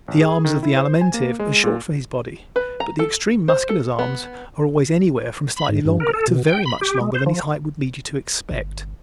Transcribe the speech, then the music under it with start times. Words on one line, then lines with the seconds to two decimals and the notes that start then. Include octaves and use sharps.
The arms of the Alimentive are short for his body but the extreme Muscular's arms are always anywhere from slightly longer to very much longer than his height would lead you to expect.
0.08 A1
0.21 G#4
0.45 D#3
0.63 E4
0.77 C5
1.01 G#5
1.14 A#3
1.39 G#3
1.64 A#2
2.56 B4
2.80 A#5
2.99 A4
3.48 C5
3.69 A4
3.99 B3
5.56 B5
5.69 G#2
5.85 G2
6.00 A#4
6.14 A4
6.28 B2
6.47 G5
6.66 B5
6.81 G4
7.01 G#3
7.15 C5
7.26 F3
8.51 G1